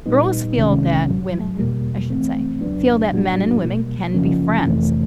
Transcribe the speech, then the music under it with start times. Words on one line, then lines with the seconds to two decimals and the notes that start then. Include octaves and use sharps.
girls feel that women, I should say, feel that men and women can be friends.
0.06 A#2 G3 B3 D#4
0.57 C#2 C3 D#3 G#3 C#4
1.08 G2 D3 F#3
1.59 E2 B2 G3 A#3
2.10 G2 E3 A3 C4
2.61 D#2 D3 F#3 B3 D4
3.12 A2 F#3 A#3 D4 F#4
3.63 B2 G3 A#3
4.14 F#2 C#3 F3 A#3 C#4
4.65 F2 C3 E3 A3